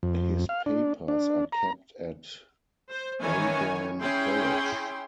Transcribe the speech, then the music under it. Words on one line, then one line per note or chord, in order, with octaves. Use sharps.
His papers are kept at Bowdoin College.
F2
F5
D4
D4
A#5
C5
D#3 E3 C#4 C#5 G#5
C#4 E4 G#4 G5 C6